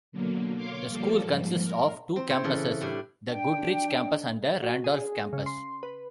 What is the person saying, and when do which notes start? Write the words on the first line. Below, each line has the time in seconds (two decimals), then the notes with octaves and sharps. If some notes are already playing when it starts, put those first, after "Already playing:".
The school consists of two campuses: the Goodrich Campus and the Randolph Campus.
0.12 B2 D3 F#3 A#3
0.56 C#5 F5 C6 D6
0.88 F3 G3 A#3 A4
1.22 G#2 F3
1.63 A#4
2.16 C4
2.30 C4 E4 C5 C#5
2.44 C#3 E3 A4
2.81 A2 G3 D4
3.30 D4 G5
4.62 F#4
4.84 G#4
5.33 C#3
5.46 C6
5.83 B4